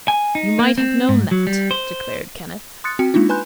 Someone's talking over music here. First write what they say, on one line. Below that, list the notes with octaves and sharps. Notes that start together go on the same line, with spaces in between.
"You might have known that," declared Kenneth.
G#5
D#4
A#3
C4
G#2
F#3
G3
C5
C6 D#6 F#6 A6 C#7
C4 F#4 G5 C#7
G#3 A#3 D4 D#4 F4
B4 G#5 B5 C6 F#6 G6